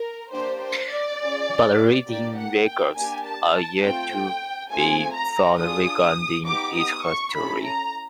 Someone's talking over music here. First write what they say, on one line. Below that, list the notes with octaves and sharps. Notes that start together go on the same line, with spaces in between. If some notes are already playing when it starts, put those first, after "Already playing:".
But written records are yet to be found regarding its history.
Already playing: A#4
A#3 D4 G4 C5
C5
D5
C#4 F4 G#4
A#3 D4 G4 D5
F#5
G5
A#3 D4 G4 G#5
A5
A5
A3 C4 F4 G5
A3 C4 F4 G#4 G#5
A#5
D4 F4 G#4 D#6
B3 D#4 G4 D6
D#6
C#6
C#4 E4 A4 B5
A#5